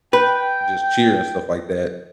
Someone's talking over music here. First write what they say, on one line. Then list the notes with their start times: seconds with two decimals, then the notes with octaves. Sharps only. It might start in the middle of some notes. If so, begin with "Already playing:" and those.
just cheer and stuff like that,
0.13 B4 G5